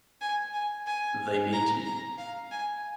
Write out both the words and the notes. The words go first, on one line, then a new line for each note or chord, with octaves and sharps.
They need you.
G#5
G#5
G#5
A#5
A#5
F5
G#5